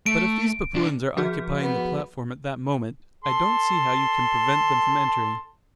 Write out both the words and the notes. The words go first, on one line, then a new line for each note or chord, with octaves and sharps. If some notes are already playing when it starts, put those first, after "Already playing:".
"But if these Papuans are occupying the platform at that moment, I don't see how you can prevent them from entering."
A3 D7
C2 D4
F3 F#4 G#4
B3
A4 A5 C6